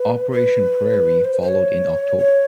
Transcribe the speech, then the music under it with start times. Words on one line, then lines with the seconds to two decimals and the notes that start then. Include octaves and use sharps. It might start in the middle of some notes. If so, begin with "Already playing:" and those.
Operation Prairie followed in October.
Already playing: B4
0.31 B4
1.24 C5
1.41 C5
1.48 C#5
2.18 C#5